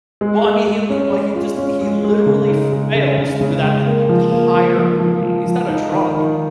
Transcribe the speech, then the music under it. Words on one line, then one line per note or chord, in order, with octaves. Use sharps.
Well, I mean, he l he well, he just he literally fails through that entire movie. He's not a drunk,
G#3
G#3
G#3
C#4
G#3
F4
C#4
G#3
G#3
C#3
D#4
G#3
C#3
C#3
C#3
G#3
A#3
F3
A#3
F3
F3
F3
F3
F3
D#4
D#3
D#3